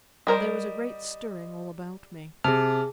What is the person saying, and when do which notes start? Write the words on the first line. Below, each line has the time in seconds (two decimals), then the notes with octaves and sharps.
There was a great stirring all about me.
0.27 G3 A#4 C5 D#5
2.44 C3 G#4 A5 F6